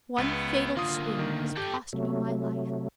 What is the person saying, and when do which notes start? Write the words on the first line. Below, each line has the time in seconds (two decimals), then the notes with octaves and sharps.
One fatal swoon has cost me my Life..
0.18 C#2 B3
0.77 D2 A#3 F4 D#6
1.19 D#3
1.57 G4 A4 G5
1.93 C3 F#3 A3